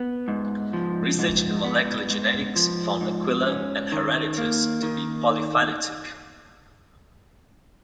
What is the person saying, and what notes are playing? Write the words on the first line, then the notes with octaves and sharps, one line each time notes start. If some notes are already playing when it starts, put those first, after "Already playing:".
Research in molecular genetics found "Aquila" and "Hieraaetus" to be polyphyletic.
Already playing: B3
G#2
F3
G#2
B3
G#2
F3
G#2
C#4
D#3
A#3
D#3